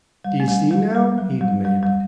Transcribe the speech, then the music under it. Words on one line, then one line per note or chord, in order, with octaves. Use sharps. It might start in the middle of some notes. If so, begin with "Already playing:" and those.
"D'ye see, now!" he demanded.
G3
A3
G3
G3
G3
F#3
G3
G3
G3